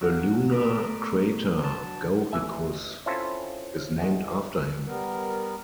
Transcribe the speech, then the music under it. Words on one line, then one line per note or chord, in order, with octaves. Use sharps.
The lunar crater Gauricus is named after him.
F#3 D4 F#4 F5
A3 B3 A#4 B4 D5
F#3 D4 A5
A1 E3 E5 G#5
C4 C#4 E4 F4 A4 C5
E2 G#3
G3 B3 A#4